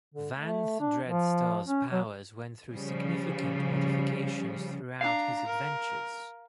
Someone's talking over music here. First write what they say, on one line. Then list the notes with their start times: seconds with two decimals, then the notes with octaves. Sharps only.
Vanth Dreadstar's powers went through significant modifications throughout his adventures.
0.14 D3
0.35 A3
0.80 D4
1.07 F3
1.68 C#4
1.92 F#3
2.70 C#3 F3 G3
5.01 D4 F5 A#5
5.47 A#4